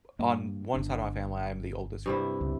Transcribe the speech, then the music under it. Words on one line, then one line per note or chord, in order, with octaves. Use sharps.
on one side of my family, I am the oldest,
G2 A#3
G1 D4
G2 C3 E4
C#2